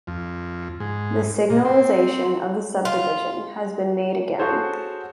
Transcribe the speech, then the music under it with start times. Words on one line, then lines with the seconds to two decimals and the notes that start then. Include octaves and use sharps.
The signalization of the subdivision has been made again.
0.07 F2
0.80 G#2
1.50 A#2
1.65 C4
2.85 F4
4.39 F#4 G#4 A4 C5 C#5